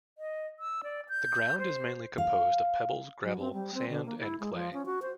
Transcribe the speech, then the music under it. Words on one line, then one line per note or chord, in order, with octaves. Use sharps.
The ground is mainly composed of pebbles, gravel, sand and clay.
D#5
E6
D5
G6
C5
F5
F#3
C4
G3
C4
D3
A#3
E4
G#3
F3
C#4
F#4
C5